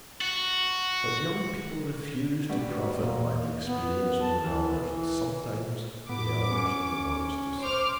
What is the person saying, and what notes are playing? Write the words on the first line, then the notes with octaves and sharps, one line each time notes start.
But young people refuse to profit by the experience of their elders, and sometimes the elders are the ones to suffer.
F#4
G3 A3 B3 F#4 G4
A#2
B3
A5
E3
E3
A2 B3 D6
C#4
C5 D6 F6